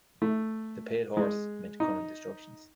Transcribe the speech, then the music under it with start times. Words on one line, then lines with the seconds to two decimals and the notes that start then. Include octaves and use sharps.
The pale horse meant coming destructions.
0.22 A3
1.17 G#3
1.80 D#4